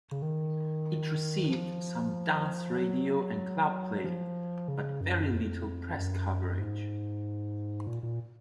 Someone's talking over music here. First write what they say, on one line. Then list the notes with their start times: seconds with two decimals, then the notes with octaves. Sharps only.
It received some dance radio and club play, but very little press coverage.
0.11 C#3
0.22 D#3
1.50 F3
2.77 F#3
4.04 F3
4.68 C#3
5.01 F#2
5.32 F2
5.96 F#2
6.59 G#2
7.87 A#2
8.03 A#2